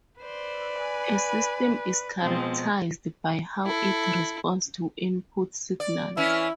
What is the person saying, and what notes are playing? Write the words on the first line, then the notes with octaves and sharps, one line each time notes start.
A system is characterized by how it responds to input signals.
B4 C5 D5
G#5 B5
B2 F3 G#3 C4
E4 A4
D5
E3 C#4 E4